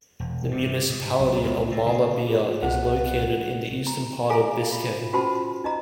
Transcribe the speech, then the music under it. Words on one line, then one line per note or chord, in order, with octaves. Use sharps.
The municipality of Mallabia is located in the eastern part of Biscay.
E1
G2
G#2
B1
C#2
A2
C#3
G#4
C2 B4 C5 F5 F#5 A5
A#5
G#4 A4 E5 F5 G#5 A#5
F4
C#4 F4 F#4 C5 A5 B5
D#4 D#5 A#5